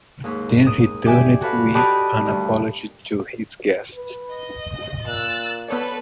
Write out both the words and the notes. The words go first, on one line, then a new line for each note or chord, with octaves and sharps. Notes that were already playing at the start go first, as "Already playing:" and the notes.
Then he turned with an apology to his guests.
D#2 G#2
D#6
G4 D5 E5 G#5
F#4 A4 B4 F5
G4 D5 D#5 A5 B5 F#6
D2 G2 D#3
B4
D#5
A#2 E6 F#6 A6
B3 A4 B4 C#5 D5